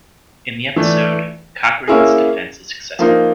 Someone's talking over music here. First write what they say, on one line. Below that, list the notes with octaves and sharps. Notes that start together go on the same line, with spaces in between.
In the episode, Cochran's defense is successful.
E3 A3 D4
A#3 C#4 E4 G#4
F3 A#3 D#4